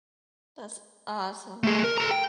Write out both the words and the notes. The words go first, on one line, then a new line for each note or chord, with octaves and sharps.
That's awesome.
A3 G#4
A#4
A4 A#5
G5